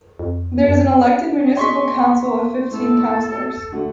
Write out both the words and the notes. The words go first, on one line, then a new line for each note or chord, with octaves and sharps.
There is an elected Municipal Council of fifteen councilors.
F2
F#2
G#4 D#5 C6 C#6 B6
A2 A4
D3 A3 F#4